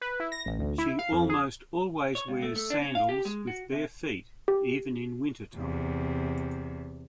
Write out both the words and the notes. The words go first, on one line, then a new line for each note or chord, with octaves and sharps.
She almost always wears sandals with bare feet, even in wintertime.
B4
E4
A#6
A1
D2
E4
F5
F2
G#4
C#5
C#2
A3
A3
D4
C#4
F5
G4
G#3
F#4
C3
G4
E2 C3